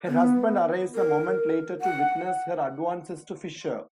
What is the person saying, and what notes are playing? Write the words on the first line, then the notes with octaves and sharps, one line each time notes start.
Her husband arrives a moment later to witness her advances to Fischer.
B3
A#4
F#5